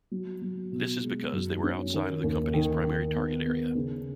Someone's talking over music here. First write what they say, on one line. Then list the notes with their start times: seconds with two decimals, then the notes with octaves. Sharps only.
This is because they were outside of the company's primary target area.
0.11 F#3
0.42 F#3
0.72 B2
1.02 G#3
1.33 F#2
1.63 C#4
1.93 D#3
2.24 D#2
2.54 D#3
2.84 D#3
3.15 B3
3.45 B3
3.75 C#3